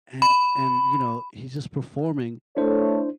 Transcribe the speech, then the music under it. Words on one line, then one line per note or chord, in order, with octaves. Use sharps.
and and, you know, he's just performing,
B5
A3 D4 E4 A4 C5 C#5